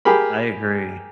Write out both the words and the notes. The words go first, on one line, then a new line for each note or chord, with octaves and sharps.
I agree.
G4 G#4 A#4 B5